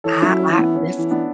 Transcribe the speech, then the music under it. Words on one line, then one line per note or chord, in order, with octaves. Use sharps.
I I this
E3 A4 C#5
C#4 E4
F#3
C#4
E3
B3
C#4
E3
B3 D4